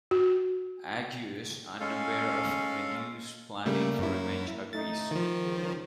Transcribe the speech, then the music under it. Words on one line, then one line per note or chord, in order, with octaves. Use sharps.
Aegeus, unaware of Medea's plans for revenge, agrees.
F#4
G#3 C#4 A4 F5
C#3 G3 A3 A#3
F#2 E4
A2 A3 D#4 A6
D#3 F3
C#2